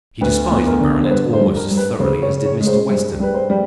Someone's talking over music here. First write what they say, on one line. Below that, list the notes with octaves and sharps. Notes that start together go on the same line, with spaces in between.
He despised the Baronet almost as thoroughly as did Mr. Western.
D2 B4
B3
A#4
D3
C5
G2 B4
C5
G2
A#4
G2
B4
C#3 C5
C#5
C#3
C#5
G#3
C5
G2 C5
G3 B4
C5
G3